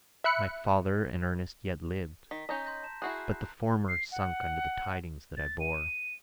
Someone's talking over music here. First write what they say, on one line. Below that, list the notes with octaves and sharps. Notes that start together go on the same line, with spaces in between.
My father and Ernest yet lived, but the former sunk under the tidings that I bore.
E5 B5 F#6 C#7
D#3 B6
C#4 D#4 D#5 A#5 G6
C6 G6 A#6
A5 E7
E4 F#4 G#4 F#6 C7
C7
F#5
A6
D#7